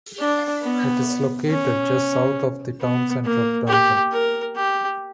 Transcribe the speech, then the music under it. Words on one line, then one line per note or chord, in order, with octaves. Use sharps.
It is located just south of the town centre of Dundrum.
D4
B3
C#4
B3
A#3
G4
A#4
G4